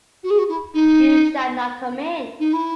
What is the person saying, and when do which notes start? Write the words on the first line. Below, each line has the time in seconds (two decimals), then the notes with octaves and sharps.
You shall not come in.
0.24 F#4
0.30 G#4
0.38 F#4
0.49 E4
0.74 D#4
2.39 D#4
2.53 E4